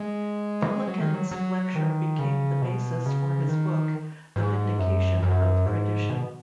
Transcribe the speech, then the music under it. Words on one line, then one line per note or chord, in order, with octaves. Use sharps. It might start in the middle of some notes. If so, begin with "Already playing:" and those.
Pelikan's lecture became the basis for his book The Vindication of Tradition.
Already playing: G#3
F#3
D#3
F#3
F#3
D#3
C#3
B2
C#3
D#3
G#2
F#2
F#2
G#2
B2